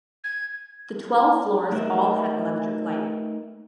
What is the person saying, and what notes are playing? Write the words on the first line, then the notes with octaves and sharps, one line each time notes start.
The twelve floors all had electric lighting.
G#6
A3 D#4 A#4 B4 D#5 E5